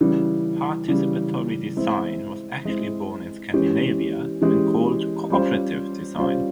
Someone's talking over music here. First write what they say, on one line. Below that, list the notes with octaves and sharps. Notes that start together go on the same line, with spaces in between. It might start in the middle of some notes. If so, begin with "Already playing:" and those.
Participatory design was actually born in Scandinavia and called "cooperative design".
C#3 E3 G3
C#3 E3 G3
G#3 C4 E4
G#3 C4 E4
E3 G#3 C#4 G4
E3 G#3 C#4 G4
G3 C#4 F4 C5
G3 C#4 F4 C5